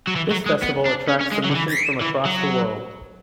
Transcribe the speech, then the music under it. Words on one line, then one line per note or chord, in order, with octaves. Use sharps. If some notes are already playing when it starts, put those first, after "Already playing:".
This festival attracts submissions from across the world.
F#3
E3
F#3
G#3
B3
D4
C#4
C#4
G#3
F#3
D3
E3
E3
F#3